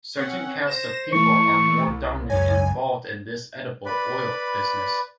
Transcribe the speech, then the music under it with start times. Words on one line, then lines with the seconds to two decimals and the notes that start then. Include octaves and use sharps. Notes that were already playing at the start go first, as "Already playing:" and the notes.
Certain cast of people are more dominant and involved in this edible oil business.
0.17 C4 C#4 F#5
0.67 C5 A#6 E7
1.12 E3 A3 C#6
1.87 C2
2.30 C#2 F#2 C#5 G#5
3.86 B4 D5 B5